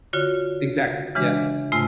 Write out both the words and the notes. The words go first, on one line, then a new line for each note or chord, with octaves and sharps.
Exactly, yeah.
D3 F4 F#4 C#5
C#3 E3 G#3 D4
G#2 C3 A3 F4 G#5